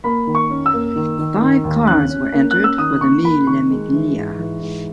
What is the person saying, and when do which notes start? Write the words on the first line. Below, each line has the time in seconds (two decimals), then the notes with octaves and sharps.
Five cars were entered for the Mille Miglia.
0.04 A#3 B5
0.27 D#3
0.35 C#6
0.50 C#4
0.66 E6
0.73 A#3
0.96 D#3
1.19 D#3
1.41 D#3
1.65 D#2
1.87 C#4 F#6
2.10 C#4
2.33 A#3
2.51 C#4 F#6
2.64 E6
2.78 D#3 D#6
3.01 A#3 C#6
3.24 A#3 B5
3.47 D#3 C#6
3.70 G#3
3.93 E3
4.16 G#2
4.39 E3
4.62 G#2